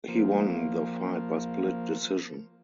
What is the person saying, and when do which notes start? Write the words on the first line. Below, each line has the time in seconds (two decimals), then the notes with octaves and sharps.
He won the fight by split decision.
0.08 F3 A#3